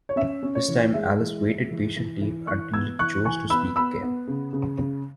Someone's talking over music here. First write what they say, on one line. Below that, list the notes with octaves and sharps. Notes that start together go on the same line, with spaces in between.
This time Alice waited patiently until it chose to speak again.
C#5
C#4 E5
C#4
C#5
E3
G#3 E5
E3
G#3
E3
E3
E3
E3 C#6 F#6
B3 E6 G#6
E3 C#6 F#6
E3 G#5 C#6
B3 B5 E6
B3 B5 E6
B3
C#3
C#3
C#3